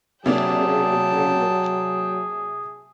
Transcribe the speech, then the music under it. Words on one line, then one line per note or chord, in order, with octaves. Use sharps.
They declined.
C3 F#3 A#3 D4 G#4 G5 A5